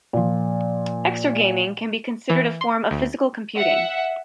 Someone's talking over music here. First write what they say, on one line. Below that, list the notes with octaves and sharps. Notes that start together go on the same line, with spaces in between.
Exergaming can be considered a form of physical computing.
A#2 F3
E3
C6
D2
E5 F#5